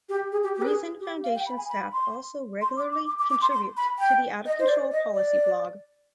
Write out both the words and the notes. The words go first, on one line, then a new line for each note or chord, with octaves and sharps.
Reason Foundation staff also regularly contribute to the "Out of Control Policy Blog".
G4
G#4
G4
G4
B4
G#4
G4
F5
G5
B5
G#5
B5
C6
C6
D6
D6
D6
D6
D6
C6
C6
B5
G5
D#5
C5
D5
D#5
D5